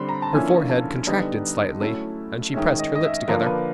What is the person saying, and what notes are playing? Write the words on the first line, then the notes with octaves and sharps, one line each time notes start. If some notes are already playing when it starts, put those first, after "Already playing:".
Her forehead contracted slightly and she pressed her lips together.
Already playing: D3 G3 C4 B5 C6
A#5
A5
D3 F3 A#3 C#4 E4 G#5
A5
D3 G3 B3 D#4
F#3 A3 C#4 E4
D#3 G#3 C#4 E5
D#5
D#5
E5
D3 F3 A#3 D4 A#4
B4